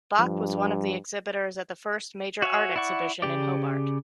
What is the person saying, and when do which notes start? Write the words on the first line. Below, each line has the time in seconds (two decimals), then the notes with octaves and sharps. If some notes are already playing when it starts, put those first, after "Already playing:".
Bock was one of the exhibitors at the first major art exhibition, in Hobart.
0.19 G2 F3
2.42 F#4 C#5 E5 G#5
2.76 E4 D5 F#5 C#6
3.22 C#3 A#3 G4 D5